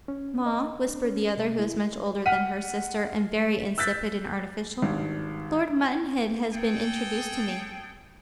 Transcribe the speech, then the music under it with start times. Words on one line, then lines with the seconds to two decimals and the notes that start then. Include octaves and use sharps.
'Ma,' whispered the other, who was much older than her sister, and very insipid and artificial, 'Lord Mutanhed has been introduced to me.
0.08 C#4
0.46 D#5
0.89 D4
1.05 C#4
1.37 C3
1.59 E4
2.26 F#5 F6 B6 D#7
3.78 E6 F#6 G6 A6 B6
4.82 G#1 G2
6.52 G#4 A4 G5